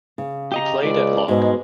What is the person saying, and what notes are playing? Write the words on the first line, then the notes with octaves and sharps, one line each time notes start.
He played at Lock.
C#3
G4 D#5 A#5
C#2 D5
G#2 B2 G#3